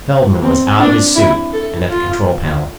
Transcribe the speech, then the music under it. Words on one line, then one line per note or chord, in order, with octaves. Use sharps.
Feldman was out of his suit and at the control panel.
C4
D4
E4
A4
F4